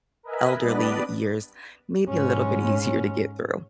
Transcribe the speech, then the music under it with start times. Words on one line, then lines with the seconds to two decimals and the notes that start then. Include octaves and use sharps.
elderly years, maybe a little bit easier to get through.
0.23 A#4 B4 D#5 E5 G#5 B5
0.61 G3 B3 D4 B4 D5 D#5
2.09 G#2 C#4